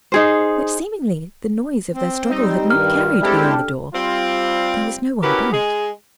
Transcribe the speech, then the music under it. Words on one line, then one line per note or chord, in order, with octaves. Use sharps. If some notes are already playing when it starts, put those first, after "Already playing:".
But seemingly the noise of their struggle had not carried beyond the door. There was no one about.
D#4 G#4 C5
C4
G3 D#4
G2 D#3 F6
G#3 C4 D4 E4 G4 A4
G3 C4 F4
C#4 E4 F#4 G4 A#4 B4
G#3 G#4